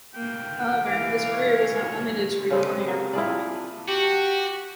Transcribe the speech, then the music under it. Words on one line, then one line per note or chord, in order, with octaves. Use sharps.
However, his career was not limited to recording or performing.
A#3 G5
E3 A#4 F5 D6
C#5
C#3 G3 C4 A4
A#3
E4 F4 G#4 D5
F#4 G4